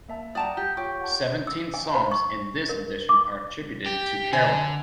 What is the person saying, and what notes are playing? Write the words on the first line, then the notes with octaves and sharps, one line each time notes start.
Seventeen songs in this edition are attributed to Carrell.
A#3 E5 A5
D5 F#5 G5 A5 A#5 D#6
G4
F4 G4 C#5 C#6
F#5 A5
E6
G#5
C5
C#6
A#4
D6
G4
D3 G#5